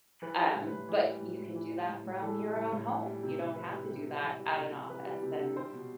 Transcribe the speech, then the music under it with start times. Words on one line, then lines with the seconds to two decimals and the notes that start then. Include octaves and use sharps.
um, but you can do that from your own home. You don't have to do that at an office and
0.22 E3 B4
0.38 G3
0.44 C5
0.55 A2
0.67 B4
0.72 A2
0.89 E3
1.06 G3
1.22 A2
1.39 A2
1.55 E3
1.72 G3
1.89 A2
2.06 A2
2.22 E3 A4
2.39 G3
2.56 A2
2.72 A2
2.90 E3
3.05 G3
3.23 C3
3.39 C3
3.56 E3 B4
3.72 G3
3.89 C3
4.06 C3
4.23 E3
4.39 G3
4.56 C3
4.72 C3
4.89 E3 B4
5.06 G3
5.23 C3
5.39 C3
5.56 G3 C5
5.73 B2